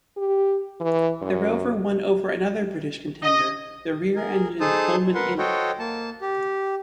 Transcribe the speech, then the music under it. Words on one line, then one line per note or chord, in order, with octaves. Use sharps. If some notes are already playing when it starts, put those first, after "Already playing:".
The Rover won over another British contender, the rear-engine Hillman Imp.
G4
E3
F#2
D#5
G#4 A#4
D#4 G#4 A4 C5 A5 D#6
A#4 B4 F#5 C6
F#4 A4 C5 C#5 D#5 G5
A#3 A5
G4